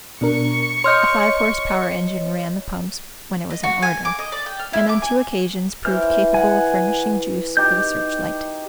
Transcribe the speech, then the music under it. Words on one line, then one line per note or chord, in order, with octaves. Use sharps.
A five-horse power engine ran the pumps when it was in order, and on two occasions proved capable of furnishing juice for the search-light.
B2 D4 A#4 C#6 C#7
C#5 D#5 C6 F6 G6
D#5
F#4
G#5
D6
D#5
D5
G5
F6
E4
D6
G#5
E3 C5 F6
F#5 G#5
D#4 G4 G6